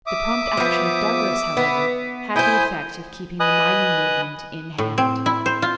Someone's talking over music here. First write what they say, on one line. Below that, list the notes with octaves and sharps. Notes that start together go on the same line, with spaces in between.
The prompt action of Douglas, however, had the effect of keeping the mining movement in hand.
E5 D6 D#6
F3 B3
B3
E4 C5 G#5 D#6 G6
B4 D#5 G#5 D#6 F#6
A2
C4
E4
C5
F4